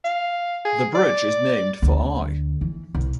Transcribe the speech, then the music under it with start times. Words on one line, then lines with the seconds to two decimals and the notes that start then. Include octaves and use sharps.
The bridge is named for I.
0.05 F5
0.65 G#4
0.95 D5
1.82 D2
2.61 E3
2.95 C2